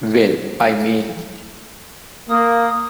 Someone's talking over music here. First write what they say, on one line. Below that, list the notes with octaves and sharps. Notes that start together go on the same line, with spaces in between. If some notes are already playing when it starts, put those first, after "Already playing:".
Well, I mean!
A#3 D#6